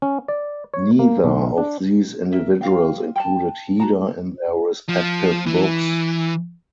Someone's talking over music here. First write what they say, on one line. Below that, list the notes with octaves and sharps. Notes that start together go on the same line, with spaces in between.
Neither of these individuals included Heda in their respective books.
C#4
D5
C#5
A#3
B1
D4
A#4 E5
F4 F5 G5
G5 A5
F#4 A5 A#5
F3
E3